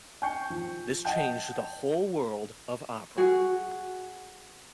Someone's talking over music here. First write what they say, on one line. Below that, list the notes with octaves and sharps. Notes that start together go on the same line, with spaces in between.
This changed the whole world of opera.
G5 G#5 C#6 G6 C7 C#7
F3
D#5 F#5 G5 A5 G6
F#4 G#4